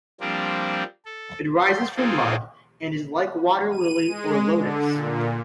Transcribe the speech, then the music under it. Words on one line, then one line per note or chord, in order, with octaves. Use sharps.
It rises from mud, and is like water lily or lotus.
F3 G3 A#3 C4 D4
A4
C6
A#3 C4 D#4 F4 G#4 A4
D#7
G#3
D3
A#2